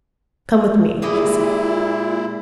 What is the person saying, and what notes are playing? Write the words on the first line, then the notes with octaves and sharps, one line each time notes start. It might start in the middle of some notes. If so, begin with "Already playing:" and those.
'Come with me,' she said.
A#2 G#3 E4 G4 D#5